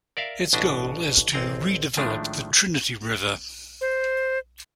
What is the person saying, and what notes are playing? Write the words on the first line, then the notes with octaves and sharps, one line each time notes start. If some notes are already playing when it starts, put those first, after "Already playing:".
Its goal is to redevelop the Trinity River.
A#4 D5 E5 F5
A1 B2 D4 D#5 E5
A1 C4 G#4 G5 A#5
A2 D#3 F3 G#3 A3 D4
C5